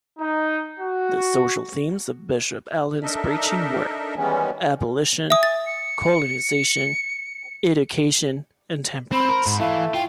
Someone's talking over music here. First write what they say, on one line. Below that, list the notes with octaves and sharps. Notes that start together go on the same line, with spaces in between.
The social themes of Bishop Allen's preaching were abolition, colonization, education, and temperance.
D#4
F#4
D4 D#4 A4 A#4 D#5 E5
D#3 E3 G3 G#3 B3 C#4
E5 G#5 D#6
A6
C#7
C4 C5 B5
A#4
G#2
E3 A3 F5
F4 G5